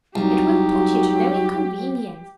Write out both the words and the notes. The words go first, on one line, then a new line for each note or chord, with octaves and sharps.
It will put you to no inconvenience.
C2 F#3 D#4 G4